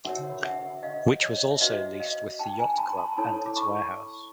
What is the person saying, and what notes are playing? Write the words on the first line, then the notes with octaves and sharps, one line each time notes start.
Which was also leased with the yacht club and its warehouse.
F#4 A#4 C#5 E5 F#5
E5 F#5
D#5 F5
C#5 D#5
E5
F#4 B4 D#5 F5
D#5 F5
G5 A5
G#5 A#5
A5 B5
C6
A5 B5
E4 A4 C#5 A5 B5
D6
B5 C#6